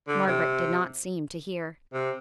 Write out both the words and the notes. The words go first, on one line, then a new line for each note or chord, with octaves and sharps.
Margaret did not seem to hear.
D3
C3
C3